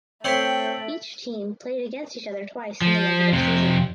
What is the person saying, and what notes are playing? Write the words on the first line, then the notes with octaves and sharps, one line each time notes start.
Each team played against each other twice in the regular season.
A3 C4 C#5 G5 C6 B6 D7 F#7
F3
F2 C3